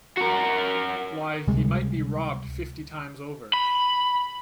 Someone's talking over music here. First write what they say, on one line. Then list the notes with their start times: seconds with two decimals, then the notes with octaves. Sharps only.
Why, he might be robbed fifty times over!
0.17 F#4 A#4
1.47 C#2 C3 G3 G#3
3.53 B5